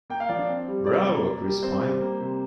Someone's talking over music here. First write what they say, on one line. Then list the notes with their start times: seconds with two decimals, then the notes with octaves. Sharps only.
Bravo, Chris Pine!
0.10 A#3 G5
0.20 F5
0.29 F3 D5
0.38 D4
0.49 C4
0.68 G3
0.86 C3 D5
1.06 A#3
1.25 A#3
1.44 G3
1.63 C4 C5
1.83 G3
2.01 A#3
2.20 C3